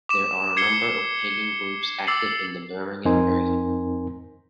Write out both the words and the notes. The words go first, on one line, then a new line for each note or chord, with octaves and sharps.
There are a number of Pagan groups active in the Birmingham area.
D6 E7
D6 G#6 C7 C#7 E7 G7
D6 E6 A6 C7 F#7
F2 C4 D#4 A#4 G#5 C6